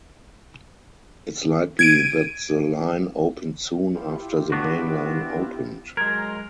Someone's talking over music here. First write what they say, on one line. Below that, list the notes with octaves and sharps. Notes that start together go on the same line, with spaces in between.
It is likely that the line opened soon after the main line opened.
G#6 D7 D#7
E4 F4 G4
B3 D4 F#4
F#3 G#3 A#4 A#5 C6 G#6